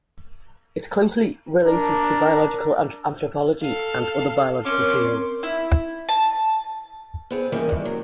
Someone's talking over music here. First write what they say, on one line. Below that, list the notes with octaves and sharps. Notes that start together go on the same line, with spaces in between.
It is closely related to biological anthropology and other biological fields.
D4 A#4
A4 F5
C4 C#4 A#4 C6 D6
E4
A5
B3 C4 G#4
D#3 E3 G3 A#3 B3 C#4
G2
F#3